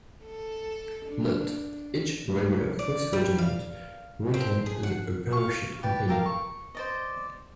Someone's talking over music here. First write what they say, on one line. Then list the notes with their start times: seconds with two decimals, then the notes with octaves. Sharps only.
Note: each regular force regiment retains a parachute company.
0.24 A4
1.06 D4
2.24 A2
2.79 D5
3.13 G3
3.38 F5
4.34 C4
4.66 G#4
4.83 F#5
5.33 F5 C#6
5.83 G4 B4 D5
6.08 G4 A4 A#4 F5
6.26 C#6
6.75 C5 D5 D#5